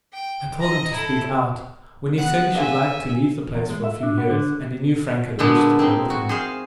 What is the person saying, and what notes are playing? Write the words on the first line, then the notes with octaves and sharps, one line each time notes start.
I told him to speak out, when he said he should like to leave the place for a few years, and he knew Frank had a wish to go with him.
G5
D#5 A#5
E4 A4
B3 F#5 F#6
G#4 E5 F5 G#5
E2
G#3
E5
D4
B3
D3
A#2 D3 G#3 B3 D4 E4
C4 D#4 E4
F#4
G#4 C5 F5